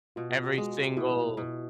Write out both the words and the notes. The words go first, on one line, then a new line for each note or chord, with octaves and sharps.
every single
B2 F4
F#4
G#3
B2 E4
B2